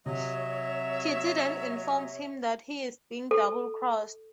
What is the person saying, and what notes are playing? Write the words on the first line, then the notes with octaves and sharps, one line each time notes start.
Kitty then informs him that he is being double-crossed.
C3 F#3 C#5 D#5 E5
A4